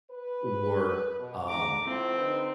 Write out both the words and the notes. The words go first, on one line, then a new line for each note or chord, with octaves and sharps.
or, um,
B4
B2
G#2 D3 A#5 D6
A2 F3 C4
D3 D#4 B4